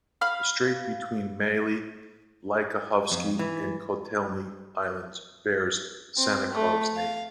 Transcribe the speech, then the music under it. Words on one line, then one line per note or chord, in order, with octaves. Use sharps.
A strait between Maly Lyakhovsky and Kotelny islands bears Sannikov's name.
F5 B5 F6
F2
E3
C4
A3
F5